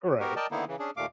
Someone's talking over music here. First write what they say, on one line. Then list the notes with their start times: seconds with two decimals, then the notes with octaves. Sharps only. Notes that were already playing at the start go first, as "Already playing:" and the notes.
All right.
0.20 B3 F#4 G4 A#4
0.36 A#4 D5 D#5 G5 A5
0.51 D3 D#3 A#3 B3 D#4 E4
0.68 C#3 E3
0.79 C#4 D4 G#4
0.97 D#2 A#2 A3 F5 D6